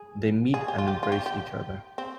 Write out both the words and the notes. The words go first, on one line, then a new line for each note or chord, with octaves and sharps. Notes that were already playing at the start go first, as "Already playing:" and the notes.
They meet and embrace each other.
Already playing: G#4
G#4
G4
F4
G4
F4
G4
G4
C4